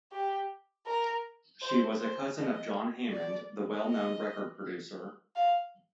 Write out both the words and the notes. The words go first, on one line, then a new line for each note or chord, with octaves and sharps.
She was a cousin of John Hammond, the well-known record producer.
G4
A#4
C5
C5
D#5
D5
D#5
F5